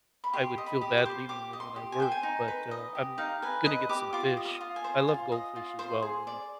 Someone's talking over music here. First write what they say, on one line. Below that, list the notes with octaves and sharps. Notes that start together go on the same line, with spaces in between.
I I would feel bad leaving them when I work, but, uh, I'm gonna get some fish. I love goldfish as well and
B5
G4 C6
D#5
B5
G4
D6
C5
G4 D6
D#5
C6
G4
G#5
C5 G5
G#5
D#4
B4
D#5
G4
D#4 F5
B4 G#5
D#5 B5
G4 D6
F4 D6
D#5
D#6
F4
G#5
C5
F4
D#5
F4
C5
G#4
D5